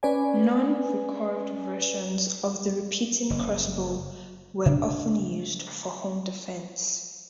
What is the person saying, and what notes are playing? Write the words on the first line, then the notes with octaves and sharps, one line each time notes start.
Non-recurved versions of the repeating crossbow were often used for home defense.
C#4 B4 D5 G#5
F#1
C#3 D4